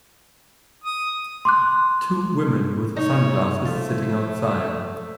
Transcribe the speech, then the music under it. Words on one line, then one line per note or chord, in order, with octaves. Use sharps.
Two women with sunglasses sitting outside.
D#6
C6 D6 F#6
D#4 C#5
F3 A3 F4